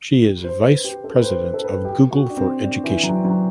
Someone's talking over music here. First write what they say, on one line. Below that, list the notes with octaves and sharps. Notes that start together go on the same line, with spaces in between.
She is vice president of Google for Education.
G4
C5
B4
G4
A4
B4
C5
C5
A4
B4
G4
F#4
D4
C4
D4
E3
F#3
F#3